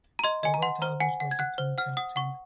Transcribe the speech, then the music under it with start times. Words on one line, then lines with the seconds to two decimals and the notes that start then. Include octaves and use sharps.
Robert Albus was the team captain.
0.19 A#5
0.24 D#5 C6
0.43 D#5 G#5
0.54 A#5
0.62 F#5 C6
0.82 C5 A#5
1.00 F#5 G#5
1.20 F#5
1.31 G#6
1.39 F#5 F#6
1.58 C5
1.78 F#5 F6
1.97 F#5 D#6
2.16 F#5 C#6